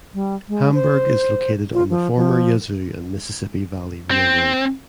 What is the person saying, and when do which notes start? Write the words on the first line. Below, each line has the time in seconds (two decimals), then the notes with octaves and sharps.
Hamburg is located on the former Yazoo and Mississippi Valley Railroad.
0.14 G3
0.49 G#3
0.74 C5
1.73 F4
1.90 F3
2.16 F3
4.11 C4